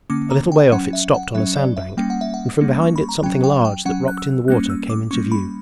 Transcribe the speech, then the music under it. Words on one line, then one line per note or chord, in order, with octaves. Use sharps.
A little way off it stopped on a sand-bank, and from behind it something large that rocked in the water came into view.
D3 A#3 C#4 D6
A#5
G5
F#3 C#4 F#5
E5
F#5
F#3 C#4 E5
D5
E5
G3 A#3 C#4 G5
F#5
E5
F#5
G3 A#3 C#4
C#6
B5
A#5
F#3 C#4 G5
G5
G5
F#3 C#4 F#5
F#6
E6
G3 A#3 C#4 F#6
E6
D6
G3 A#3 C#4 C#6
B5